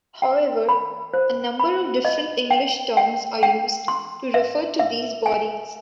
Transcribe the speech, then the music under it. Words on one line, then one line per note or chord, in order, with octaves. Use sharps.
However, a number of different English terms are used to refer to these bodies.
G5
B5
C5
B5
D#5
G5
G5
G5
C6
E5
E5
G#5